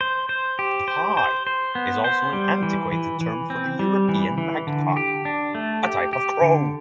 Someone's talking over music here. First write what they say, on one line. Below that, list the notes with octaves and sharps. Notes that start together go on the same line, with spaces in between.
"Pie" is also an antiquated term for the European magpie, a type of crow.
C5
C5
G4
C5
C5
C5
B3
C5
G3
E3
E3
E3
C4
G3
E3
E3
D3
G4
D4
A3
G4
G4
D3